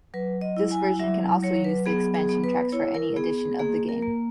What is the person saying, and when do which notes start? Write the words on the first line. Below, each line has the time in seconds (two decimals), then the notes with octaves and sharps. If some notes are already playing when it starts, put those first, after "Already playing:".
This version can also use the expansion tracks for any edition of the game.
0.14 F#3 B4
0.41 D#5
0.57 E4
0.71 G#5
1.00 F#3 E5
1.43 F#3 C#5
1.64 B4
1.86 B3 G#4
2.14 G#4
2.29 B3
2.44 B4
2.72 E4 C#5
2.94 A#4
3.17 B3 G#4
3.38 G#4
3.59 A#3 G#4
3.89 A#4
4.02 A#3